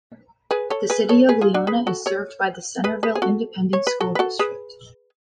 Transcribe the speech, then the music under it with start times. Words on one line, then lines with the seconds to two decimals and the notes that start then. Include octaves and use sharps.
The City of Leona is served by the Centerville Independent School District.
0.51 G#4 B4
0.70 A4 C#5
0.90 G#4 B4
1.09 A4 C#5
1.29 G#4 B4
1.41 F4 G#4
1.54 D4 F#4
1.67 G#4 B4
1.87 F#4 A4
2.06 A4 C#5
2.84 G#4 B4
3.03 G#4 B4
3.15 G#4
3.22 F#4 A4
3.73 C#5
3.87 B4
4.01 F#4 A4
4.15 B4
4.19 F#4 A4
4.39 G#4 B4